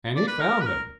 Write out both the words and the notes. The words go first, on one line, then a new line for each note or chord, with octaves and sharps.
And he found them.
D5
B4
A#4
B4
A#4